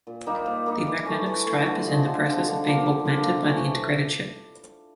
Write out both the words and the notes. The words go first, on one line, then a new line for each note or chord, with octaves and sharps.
The magnetic stripe is in the process of being augmented by the integrated chip.
A#2
G3 A#3 D#4
A#2
G3 A#3 D#4
E3
A3 C#4
E3
A3 C#4
D3
F3 G#3
D3
F3 G#3
D3
F3 A#3
D3
F3 A#3
C3
E3 A3 C#4
C3